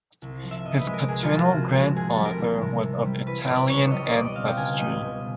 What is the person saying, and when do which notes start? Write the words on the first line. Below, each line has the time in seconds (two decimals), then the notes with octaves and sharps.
His paternal grandfather was of Italian ancestry.
0.22 C2
0.43 F3
0.51 E5
0.65 C3 D#5
0.80 B4
0.86 G#3
0.93 A#4
1.08 C2 G#4
1.22 F4
1.30 F3
1.38 F#4
1.52 C3
1.73 G#3
1.96 C3 G#4
2.10 A4
2.17 G3
2.25 A#4
2.39 E3
2.62 C3
2.83 C3
3.05 G3
3.26 E3 B4
3.48 C3 D5
3.69 C#2 C#5
3.91 G3 D#5
4.13 B2 D5
4.24 D#5
4.35 C4 F5
4.46 G5
4.57 C#2 G#5
4.78 G3 D#5
5.01 B2